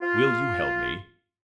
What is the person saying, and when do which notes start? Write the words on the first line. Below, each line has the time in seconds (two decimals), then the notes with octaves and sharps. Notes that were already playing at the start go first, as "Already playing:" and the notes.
Will you help me?
0.02 F4